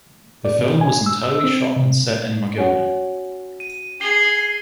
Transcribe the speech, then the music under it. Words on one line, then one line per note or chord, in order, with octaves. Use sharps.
The film was entirely shot and set in Mogilno.
D5
B2
G#5
E6
E6
C4
C3
C#4 F#4
D#7
G#4 C7 G7